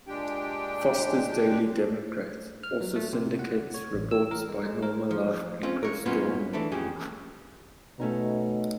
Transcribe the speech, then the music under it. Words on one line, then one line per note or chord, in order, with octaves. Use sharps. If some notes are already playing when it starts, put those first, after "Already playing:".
"Foster's Daily Democrat" also syndicates reports by Norma Love and Chris Dornin.
A#2 G#3 D4 G4 G5
F6
F#3
A3
C3
F#5
C#5
A1
E6
A#4
G#3
G#3
A#4
F3
C4 C#4 F4
A#4 C#5
F#2 A#2 A#3 B3 C#4 F4
E3 A3 D4
F2 C#4 G4 G#4
B2 A3 C#4 D#4